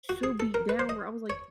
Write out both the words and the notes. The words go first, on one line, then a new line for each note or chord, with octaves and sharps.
so beat down where I was like,
F#4
G#4
A4
A#4
B4
C5
D#5
C#5